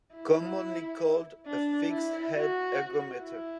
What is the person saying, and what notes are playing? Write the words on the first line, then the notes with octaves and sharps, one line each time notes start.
Commonly called a 'Fixed head' ergometer.
E4
D4
E4
F#4
E4